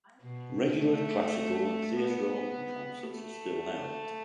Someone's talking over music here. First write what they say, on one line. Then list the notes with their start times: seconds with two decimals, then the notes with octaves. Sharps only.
Regular classical and theatre organ concerts are still held.
0.23 B2
0.80 A3
1.95 B3
3.10 A3